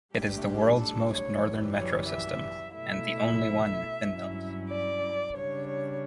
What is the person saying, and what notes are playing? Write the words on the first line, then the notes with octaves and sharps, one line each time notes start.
It is the world's most northern metro system, and the only one in Finland.
A2 G3 D4 G4
A4
C#5
F#2 E3 G3
C#5
E5
B2 A3 E4 E5
G2 F#3 C#4 E4
D5
C#3 G3 D4 C#5
C#5